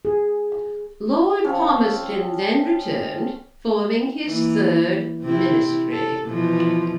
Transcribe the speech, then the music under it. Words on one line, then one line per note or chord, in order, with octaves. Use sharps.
Lord Palmerston then returned, forming his third ministry.
G#4
F3 C4 C#4
E3 A#3
C3 C4 E4
A4
B2 E3 F3